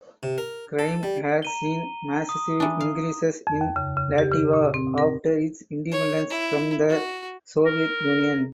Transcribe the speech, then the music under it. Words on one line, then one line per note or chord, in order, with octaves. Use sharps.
Crime had seen massive increases in Latvia after its independence from the Soviet Union.
C3
A#4
A4
G3
A#5 D#7 G7
D#6
E3 D4
F5
F2
D#2
C#3
C#3
G4
C#3
A#2
C4
A#4
C#5
E4
F#4
A#4